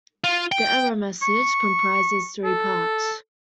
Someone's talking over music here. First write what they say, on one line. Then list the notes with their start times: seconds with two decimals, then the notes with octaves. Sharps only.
The error message comprises three parts.
0.24 F4
0.52 G5
1.22 C#6
2.44 A4